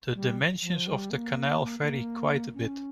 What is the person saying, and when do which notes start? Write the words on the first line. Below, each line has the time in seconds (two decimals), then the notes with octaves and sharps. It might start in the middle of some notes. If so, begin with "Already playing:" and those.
The dimensions of the canal vary quite a bit.
0.14 G3
0.62 F3
0.87 G3
1.10 A#3
1.82 A#3
2.54 C#4